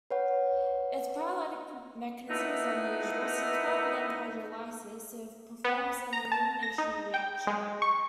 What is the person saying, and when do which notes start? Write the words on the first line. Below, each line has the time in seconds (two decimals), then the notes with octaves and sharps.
Its proteolytic mechanism is unusual since, rather than hydrolysis, it performs an elimination reaction.
0.11 B4 C#5 F#5
2.29 A#2 A3 B3 D#4 E4
5.64 B3
6.13 A#5
6.32 A5
6.63 A#6
6.78 D#4
7.14 G5
7.47 G#3
7.82 C#6